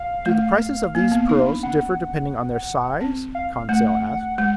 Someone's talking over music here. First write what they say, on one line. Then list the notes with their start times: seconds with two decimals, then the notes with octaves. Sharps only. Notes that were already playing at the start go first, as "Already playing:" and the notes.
"Do the prices of these pearls differ depending on their size?" Conseil asked.
Already playing: F5
0.26 A3
0.95 A#3
1.12 B3
1.29 D#4
1.46 D4
1.63 C#4 F#5
3.01 C4
3.35 F5
3.69 A3 F#5
4.38 G#3